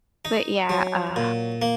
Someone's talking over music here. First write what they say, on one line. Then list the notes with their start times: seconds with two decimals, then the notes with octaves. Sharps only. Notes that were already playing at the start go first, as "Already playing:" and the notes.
But yeah, uh
0.25 D#4
0.70 F#3
1.16 A#2
1.62 A#3